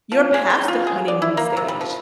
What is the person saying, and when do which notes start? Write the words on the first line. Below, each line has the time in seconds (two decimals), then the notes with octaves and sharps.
you're past the honeymoon stage.
0.12 F3
0.34 G#4
0.50 G5
0.68 F4
0.87 G#4
1.08 D5
1.22 E4
1.37 A#3
1.57 C3
1.68 G3
1.81 F3